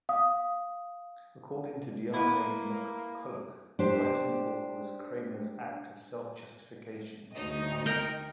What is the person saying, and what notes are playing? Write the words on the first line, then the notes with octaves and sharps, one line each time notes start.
According to Diarmaid MacCulloch, writing the book was Kramer's act of self-justification and revenge.
F5 D#6
A#3 E4 B4
D4 G4 C5
D2 D#4 D#5
A#4 G5